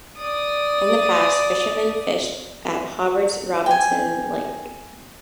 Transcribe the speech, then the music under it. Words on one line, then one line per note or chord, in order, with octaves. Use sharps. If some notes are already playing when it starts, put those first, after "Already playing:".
In the past, fishermen fished at Hobart's Robinson Lake.
D5 D#6
G5 G#5